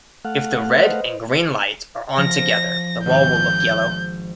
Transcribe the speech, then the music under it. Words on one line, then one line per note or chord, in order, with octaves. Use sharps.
If the red and green lights are on together, the wall will look yellow.
A3 F5 F#5
B4 C5 D#5
F3 A#6
G#1 G6